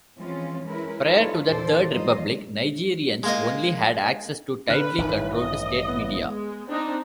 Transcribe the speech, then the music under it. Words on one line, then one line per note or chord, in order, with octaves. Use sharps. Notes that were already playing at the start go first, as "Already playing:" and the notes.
Prior to the Third Republic, Nigeriens only had access to tightly controlled state media.
E3 F3 G#3 C4 C#4 F4
G#3 C#4 E4 A#4 B4
D#4 F4 A4 B4 C#5
E2 A#2 D#3 A4 C5 D5
E3 F#3 D#4 F4 C5 D#5
G#3 A#3 D#5
D3 B4 F6 F#6
A1 G2 D#3 E3
D#5
B3
G#3
C4 D4 D#4